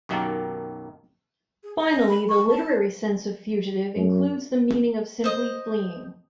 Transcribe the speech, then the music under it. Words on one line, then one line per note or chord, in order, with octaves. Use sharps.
Finally, the literary sense of "fugitive" includes the meaning of simply "fleeing".
B1 F#2 D#3 A#3 G4 A5
G#4
D#5
B5
C#6
A5
F#2
C5 D#5